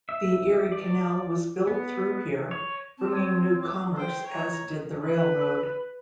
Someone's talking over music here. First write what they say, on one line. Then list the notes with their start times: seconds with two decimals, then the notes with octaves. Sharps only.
The Erie Canal was built through here, bringing new commerce, as did the railroad.
0.09 E5
0.72 D5
1.67 B3
2.51 C#5
2.98 C4 A5
3.11 C#5
3.61 D6
3.95 C5 G5
4.24 C#5 A#5
5.05 B4